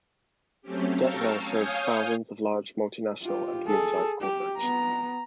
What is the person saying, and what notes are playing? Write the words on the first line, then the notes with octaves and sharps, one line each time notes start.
GetThere serves thousands of large multinational and mid-size corporations.
F#3 A3 C4 C#4 G4
F5 G5 A5 A#5 C#6 E6
C#5 F5 G#5 D#6 G6
F4 G4
G#4 A4
G4
B3 A#5